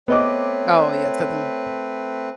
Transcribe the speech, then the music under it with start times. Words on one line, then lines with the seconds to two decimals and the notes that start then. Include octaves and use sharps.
Oh yeah, to them
0.08 A3 B3 C4 B4 C#5 D#5 D6